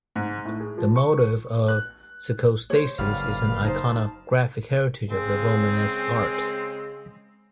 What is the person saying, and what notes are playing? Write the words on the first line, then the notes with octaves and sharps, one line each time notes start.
This motif of psicostasis is an iconographic heritage of the Romanesque art.
G#2
A2
G#4
F3
C#6
F#6
C5 C#5
F#1 B4 D5 F5
D#4 C5 A5
C#3 G#3 C4